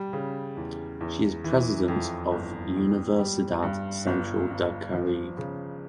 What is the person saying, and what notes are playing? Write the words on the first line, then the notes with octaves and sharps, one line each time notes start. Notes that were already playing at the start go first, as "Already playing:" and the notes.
She is president of Universidad Central del Caribe.
Already playing: G3
C#3
E2
E2
E3
F2
G1
G1
G3
G2
G1
G1
F3
C#3